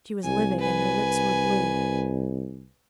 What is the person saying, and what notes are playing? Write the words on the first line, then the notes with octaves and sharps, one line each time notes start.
She was livid and her lips were blue.
C2 G#5
B4 G#5